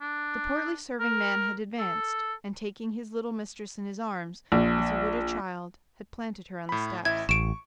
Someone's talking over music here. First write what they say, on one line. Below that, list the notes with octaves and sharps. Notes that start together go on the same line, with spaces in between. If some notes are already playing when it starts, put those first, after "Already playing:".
The portly serving-man had advanced, and, taking his little mistress in his arms, as he would a child, had planted her on the steps.
D4
A#4
A4
A#1
A2 B5
A1 E4 E5 G#6
A1 C#6 D7 E7